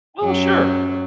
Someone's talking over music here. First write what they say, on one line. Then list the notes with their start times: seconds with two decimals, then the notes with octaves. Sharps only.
Well, sure.
0.24 F#2 F#3